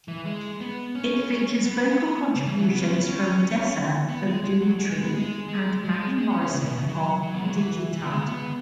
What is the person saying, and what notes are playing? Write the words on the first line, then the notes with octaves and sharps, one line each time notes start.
It features vocal contributions from Dessa of Doomtree and Maggie Morrison of Digitata.
E3
G#3
B3
C#4
B3
C#3
E3
F#3
B3
C#4
B3
C#4
B3
G#3
G#3
F#3
G#3
G#3
B3
G#3
G#3
G#3
G#3
C#4
C#4
C#3
B2
C#3
F#3
F#3
B3
G#3
F#3
E3
E3
B3
G#3
B3